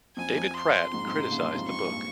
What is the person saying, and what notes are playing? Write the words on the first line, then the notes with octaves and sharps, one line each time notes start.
David Pratt criticized the book.
F2 G#5
F2
C6
F2 G#2
F2 G#2
G#2 C3
A#2 C#3
G2 A#2
F2 G#2
F2 G#2 C#6
G2 A#2